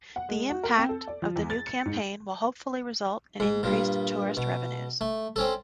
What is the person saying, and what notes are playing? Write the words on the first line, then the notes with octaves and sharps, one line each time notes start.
The impact of the new campaign will hopefully result in increased tourist revenues.
F#5
G#3
F#4
A#4
C4
A4
D5
F3
E2
A6
C#7
G#2
G#2
G2 A#2
B2
A3
C4 C#4 A4